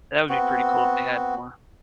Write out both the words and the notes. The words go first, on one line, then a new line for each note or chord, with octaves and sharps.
That would be pretty cool if they had more.
B3 C4 F#4